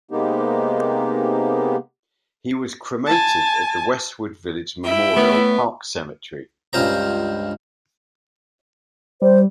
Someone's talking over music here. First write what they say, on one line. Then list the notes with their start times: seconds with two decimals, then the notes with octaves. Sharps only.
He was cremated at the Westwood Village Memorial Park Cemetery.
0.11 C3 G#3 A#3 B3 D#4 G4
3.06 G#5 A5
4.84 E4 E5 G5
5.17 A3 B3 C#5
6.73 C#2 G2 F4 C5 A#5
9.22 G3 C5